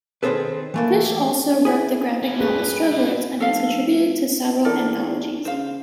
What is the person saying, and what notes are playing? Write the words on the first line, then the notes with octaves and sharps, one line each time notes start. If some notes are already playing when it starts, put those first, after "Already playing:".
Fish also wrote the graphic novel, "Strugglers," and has contributed to several anthologies.
D#3 A3 C4 G#4 A4 B4
E3 A3 A#3
E4 G#4
C#4 E4
G2 C#4 G#4 B4
G3 B4
F1 A4 F5
E2 A4 A#4 D5
C#3 C5 F5